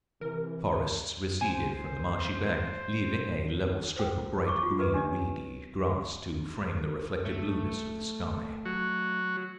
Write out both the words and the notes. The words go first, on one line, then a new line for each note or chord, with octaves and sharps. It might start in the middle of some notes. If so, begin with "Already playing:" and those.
The forests receded from the marshy bank, leaving a level strip of bright green, reedy grass to frame the reflected blueness of the sky.
C3 E3 A#4
C5 G#5
C5 G5
C#6 D6
F4 F#4
G4 A#4 B4 D#5
D4 G4 C#5 D#5
A3
F#3 F#4